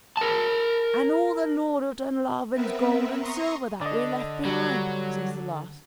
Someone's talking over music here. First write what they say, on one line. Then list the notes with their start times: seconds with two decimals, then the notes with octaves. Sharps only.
"And all the Lord of Dunlavin's gold and silver that we left behind!" says the last.
0.17 A#4 A5
2.53 B3 C4 A#4 B4 E5
3.18 A#5 C6 C#6 D#6
3.81 D3 D5 D#5
4.45 F#3 G3